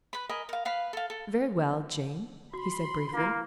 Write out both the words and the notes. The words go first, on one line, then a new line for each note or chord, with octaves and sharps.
"Very well, Jane," he said, briefly.
B4 B5
A#4 D#5 G#5 B5
A#4 F5
B4 F5 B5
A4 F5
A4
F#4 B5 C6
A#3 E4 F4